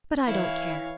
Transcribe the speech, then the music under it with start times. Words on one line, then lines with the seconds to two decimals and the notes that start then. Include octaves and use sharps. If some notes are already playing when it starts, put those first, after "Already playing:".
But I don't care.
0.27 E3 E4 C#5 F5